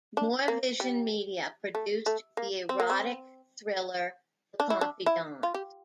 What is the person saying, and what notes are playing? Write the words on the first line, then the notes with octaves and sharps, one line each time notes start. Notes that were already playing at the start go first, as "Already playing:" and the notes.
Moore Vision Media produced the erotic thriller "The Confidant".
D4
A#3
G3
A3
A3
A#3
C4
A#3
C4
D4
E4
D4
E4
F4
G4